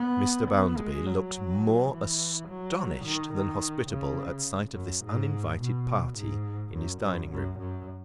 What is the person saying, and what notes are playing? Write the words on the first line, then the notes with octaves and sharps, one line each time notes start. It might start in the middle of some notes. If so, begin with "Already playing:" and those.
Mr. Bounderby looked more astonished than hospitable, at sight of this uninvited party in his dining-room.
Already playing: B3
B3
G#3
F#3
E3
F#3
D#3
D#3
C#3
F#2
G#2
B2
G#2
F#2
F#2
F#2
F#2